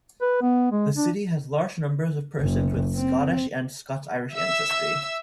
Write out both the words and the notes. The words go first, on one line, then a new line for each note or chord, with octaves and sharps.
The city has large numbers of persons with Scottish and Scots-Irish ancestry.
B4
B3
G#3
D4
F#1
C4
E5 E6